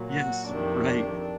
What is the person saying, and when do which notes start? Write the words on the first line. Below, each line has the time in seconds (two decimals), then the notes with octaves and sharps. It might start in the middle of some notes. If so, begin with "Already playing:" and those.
Yes, right.
Already playing: A#2 F#3
0.10 F#4
0.48 F2 C3 D#3 D4
0.86 D4